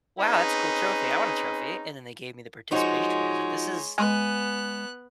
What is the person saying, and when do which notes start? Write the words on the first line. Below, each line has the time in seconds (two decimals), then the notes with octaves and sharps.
"Wow, that's a cool trophy. I want a trophy." And then they gave me the participation trophy. I was like, "This is
0.20 C4 C#4 D#4 G#4 B4
2.71 F3 G#3 D#4 F#4 C#5
3.98 G#3 B3 G#5 F#6